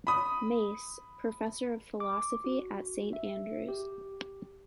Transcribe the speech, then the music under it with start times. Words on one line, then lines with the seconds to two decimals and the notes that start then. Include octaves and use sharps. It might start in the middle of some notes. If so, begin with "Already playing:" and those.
Mace, professor in philosophy at Saint Andrews.
0.07 B5 D#6
2.00 D6
2.44 F#4
3.13 E5
3.69 G4